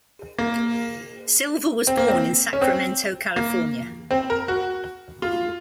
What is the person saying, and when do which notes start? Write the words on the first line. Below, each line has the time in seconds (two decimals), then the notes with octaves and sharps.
Silva was born in Sacramento, California.
0.38 A#3
1.87 C4
1.97 A#3
2.08 C4
2.53 C#4
2.62 C4
3.36 A#3
4.11 C4
4.30 A#4
4.48 F#4
5.22 F4